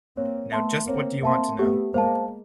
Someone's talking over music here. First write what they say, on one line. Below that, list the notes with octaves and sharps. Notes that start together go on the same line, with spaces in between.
Now just what do you want to know.
A#3 C4 C#5
A3 B3 E5 A5 C6
A#3 C4 C#5
A#3 C4 E5 A5 C6
A3 B3 G4
G#3 A#3 C5 F5 A5